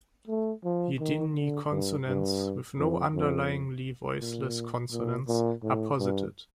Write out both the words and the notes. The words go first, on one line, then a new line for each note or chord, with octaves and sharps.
Yidiny consonants, with no underlyingly voiceless consonants, are posited.
A3
F3
D#3
D3
G2
G2
F2
F2
A#2
A#2
A#2
A2
G2